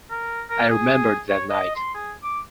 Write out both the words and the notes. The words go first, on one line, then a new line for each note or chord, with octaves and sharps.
I remember that night.
A#4
A#4
G#4
C#5
D#5
C6
G#4
D6